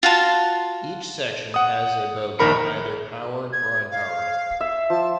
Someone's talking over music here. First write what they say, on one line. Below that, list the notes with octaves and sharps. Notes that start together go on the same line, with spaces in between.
Each section has a bogie, either powered or unpowered.
F4 F#4 A5
F#5 D#6
A#1 D#3 A#4 B5 C#7
G#6
F5
E5
F3 A5